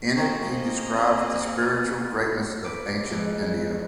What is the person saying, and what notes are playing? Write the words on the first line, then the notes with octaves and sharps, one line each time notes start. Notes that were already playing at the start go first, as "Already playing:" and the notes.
In it he describes the spiritual greatness of Ancient India.
A#3 C4 G#4 D#5 G5 A#5 C#6
B4 D6
F2 G#3